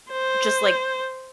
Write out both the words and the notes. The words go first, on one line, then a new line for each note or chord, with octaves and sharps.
just like
C5